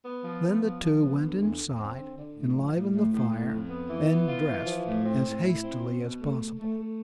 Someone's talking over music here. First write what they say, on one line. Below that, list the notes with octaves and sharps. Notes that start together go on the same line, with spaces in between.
Then the two went inside, enlivened the fire, and dressed as hastily as possible.
B3
F3
B3
F3
F3
B3
D3
E2
E2
C4
D3
D3
A2
F3
A2
A2
A2
A2
F2
B3
E3
B3
F4
E3
F3
A2
C4
A2
E4
C4
B2
B2
A3
A3
A3
A3